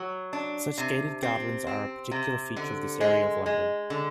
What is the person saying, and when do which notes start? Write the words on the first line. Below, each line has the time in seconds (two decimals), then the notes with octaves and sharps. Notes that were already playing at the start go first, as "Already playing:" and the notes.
Such gated gardens are a particular feature of this area of London.
Already playing: F#3
0.33 D4
0.78 C3
1.23 C4
1.67 C4
2.11 C3
2.56 D3
3.01 G#3
3.46 G#3
3.90 D3